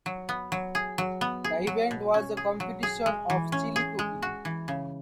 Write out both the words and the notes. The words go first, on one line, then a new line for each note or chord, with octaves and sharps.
The event was a competition of chili cooking.
F#3
B3
F#3
G#4
F#3
B3
G#4
F#3
B2
C#4
G#4
F#3
G#4
G#3
E3
C#4
G#4
G#3
F#4
E3
C#3